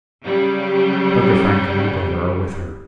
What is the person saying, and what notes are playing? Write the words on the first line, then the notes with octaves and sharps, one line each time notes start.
Dr. Frank and her brother are with her.
C#3 F#3 G3